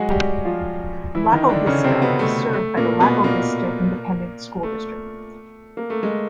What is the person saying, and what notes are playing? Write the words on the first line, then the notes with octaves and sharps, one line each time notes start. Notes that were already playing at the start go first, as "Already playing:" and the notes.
Lago Vista is served by the Lago Vista Independent School District.
Already playing: F#3 G#3 F#4 G#4
G3 G4
F3 F4
E3 E4
D#3 D#4
D3 D4
C#3 C#4
C3 C4
B2 B3
A3
A3
A#2 A#3
B2 B3
A#2 A#3
A3
A#3
A3
G#3